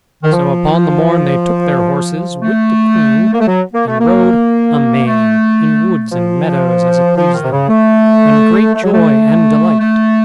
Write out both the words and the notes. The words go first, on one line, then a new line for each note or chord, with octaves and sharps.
So upon the morn they took their horses with the queen, and rode a-maying in woods and meadows, as it pleased them, in great joy and delight.
D#3
F3
A3
A#3
A3
F#3
A#3
A3
A#3
A3
F3
F3
D#3
C3
C#3
A3
A3
F#3
A3
A3